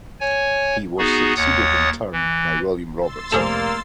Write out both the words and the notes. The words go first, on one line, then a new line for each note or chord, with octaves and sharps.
He was succeeded in turn by William Robertson.
C#5 G#5
B3 D#4 F#4 G#4
D#2 C#5 F#5 D#6 A6
E3
C6 E6 A6
F1 F3 A#3 G#4 A4 E7